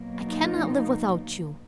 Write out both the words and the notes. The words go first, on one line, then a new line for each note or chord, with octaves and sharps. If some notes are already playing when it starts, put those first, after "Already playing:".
I cannot live without you!
Already playing: B2 F#3 A#3
D#4